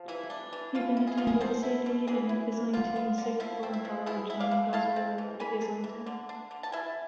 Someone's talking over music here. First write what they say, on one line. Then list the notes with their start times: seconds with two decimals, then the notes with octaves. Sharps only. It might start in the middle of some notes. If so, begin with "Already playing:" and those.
He then attended City and Islington Sixth Form College on Goswell Road, Islington.
Already playing: F3
0.08 E3 E4
0.30 D4
0.53 E3
0.75 B2 F4
0.97 E4
1.07 G#4
1.17 B2 F4
1.27 E4 G#4
1.41 B2 A4 C5
1.63 E4
1.86 B2
2.07 E3 G#4 B4
2.29 E4
2.52 E3
2.73 D3 F4
2.96 B3
3.18 D3
3.40 F3 E4
3.63 C4
3.73 E4
3.85 F3
4.06 B2 E4 G#4
4.30 E4
4.40 D5 F5
4.51 B2
4.73 E4 F5 A5
4.96 C4
5.18 E3
5.40 E3 G#5 B5
5.61 D4
5.84 E3
6.06 D3
6.29 D4
6.51 D3
6.63 A5
6.72 E4 E5 G#5